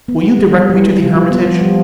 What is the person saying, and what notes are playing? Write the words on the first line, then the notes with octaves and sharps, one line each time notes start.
'Will you direct me to the Hermitage?
B3
G3
G3
G3
E3 G3
G3
F3 G3
F4
F3 B3
B3
G3